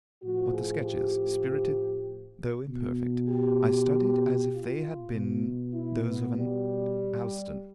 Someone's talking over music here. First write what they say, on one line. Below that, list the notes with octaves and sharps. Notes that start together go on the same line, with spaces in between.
But the sketches, spirited though imperfect, I studied as if they had been those of an Allston.
A2 F3 F#4
G#4
G4
B2
G4
F4
B2
E4
B3
G3